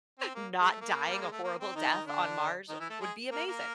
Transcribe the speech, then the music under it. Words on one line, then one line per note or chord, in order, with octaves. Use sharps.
not dying a horrible death on Mars would be amazing.
C4
A#3
G#3
A3
A#3
G3
G#3
A3
A#3
C4
D#3 D#4
D#3 D#4
D3 D4
D#3 D#4
E3 E4
A3 A4
G#3 G#4
A#3 A#4
A#3 A#4